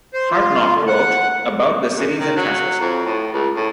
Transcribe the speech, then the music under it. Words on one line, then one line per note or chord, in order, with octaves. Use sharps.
Hartknoch wrote: About the cities and castles.
C5
F4
D3
F#5
F#2
D#3
F#3
F2
A2
C#2
A2